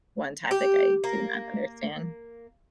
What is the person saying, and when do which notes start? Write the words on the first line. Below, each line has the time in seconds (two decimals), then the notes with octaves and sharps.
one topic I do not understand.
0.51 G4
1.04 A#3